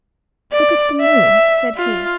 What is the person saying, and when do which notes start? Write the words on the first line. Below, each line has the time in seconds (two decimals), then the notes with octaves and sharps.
"Look at the moon," said he.
0.53 D5
1.01 E5
1.78 F4